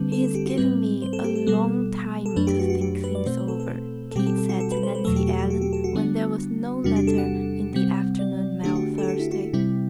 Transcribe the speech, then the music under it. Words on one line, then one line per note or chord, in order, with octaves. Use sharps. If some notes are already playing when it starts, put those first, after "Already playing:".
"He is giving me a long time to think things over," Kate said to Nancy Ellen when there was no letter in the afternoon mail Thursday.
Already playing: D3 G3 C4 B4
A4
A4
G4
F#4
A2 G3 C4 B4
C5
A4
G4
A4
B2 G3 B3 A4
A4
F#2 F#3 A3 D4 B4
G4
F#4
F#4
G4
B4
D5
B2 A3 C4 C5
B4
A4
A4
A4
B2 G3 C4 G4
A4
A4
F#4
A4
B4
C5
B4
E2 B2 F#3 A3 A4
G4
F#4
F#4
G4
G4
A4
F#4
D3 G3 B3 D4
E2 C3 G3 D4 F#4
G4
A4
F#5
C3 G3 C4
D5
D3 A3 D4 G4
F#4
A4
G4
F#4
E4
F#4
C3 G3 C4 E4